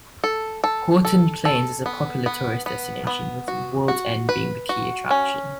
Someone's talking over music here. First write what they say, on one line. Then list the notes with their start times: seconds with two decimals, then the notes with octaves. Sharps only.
Horton Plains is a popular tourist destination, with World's End being the key attraction.
0.24 A4
0.64 A4
1.05 A4
1.45 A4
1.86 B3
2.26 B3
2.66 B3
3.07 B3
3.48 F#4
3.88 F#4
4.29 B4
4.69 F#4
5.11 C#4